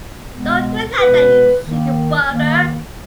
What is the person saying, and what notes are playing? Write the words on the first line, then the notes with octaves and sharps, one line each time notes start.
Don’t grin like that, you cheeky bugger!
B2 G#3 B3
B2 G#3 B3 B4
D#3 A#3
D#3 A#3